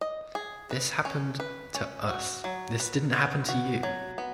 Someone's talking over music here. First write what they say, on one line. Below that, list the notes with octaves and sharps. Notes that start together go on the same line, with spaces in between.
This happened to us, this didn't happen to you.
D#5
G#4
B4
C#4
B4
C#4
F#4
F#3
B4
B3
F#4
F#3
B3